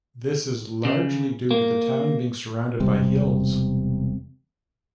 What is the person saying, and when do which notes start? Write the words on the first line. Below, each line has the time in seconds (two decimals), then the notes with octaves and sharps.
This is largely due to the town being surrounded by hills.
0.85 C#3
1.51 A#3
2.80 E1 C3 G3 C4